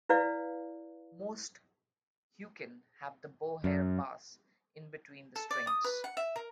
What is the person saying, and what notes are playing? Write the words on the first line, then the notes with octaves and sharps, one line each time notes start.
Most huqin have the bow hair pass in between the strings.
E4 B4 D5 F5
F#2
A4
D5
D#6
B4
F#5
E5
A#4